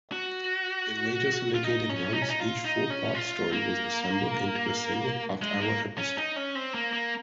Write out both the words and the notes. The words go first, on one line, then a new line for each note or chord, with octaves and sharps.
In later syndicated runs, each four-part story was assembled into a single half-hour episode.
F#4
F4
D#4
C#4
D#4
C#4
D#4
F4
D#4
C#4
F4
A#3
G#3
A#3
C#4
D#4
C#4
C4
A#3
A#3